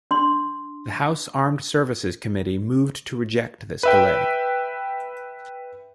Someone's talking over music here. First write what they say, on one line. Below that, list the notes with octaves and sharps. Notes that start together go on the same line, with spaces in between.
The House Armed Services Committee moved to reject this delay.
D4 C6
B4 E5 G5